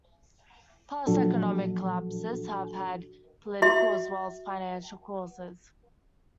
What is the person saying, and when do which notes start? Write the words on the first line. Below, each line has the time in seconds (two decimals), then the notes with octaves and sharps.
Past economic collapses have had political as well as financial causes.
1.07 A#2 F3 F#3 D4 F#4 A4
3.62 F#4 E5 C6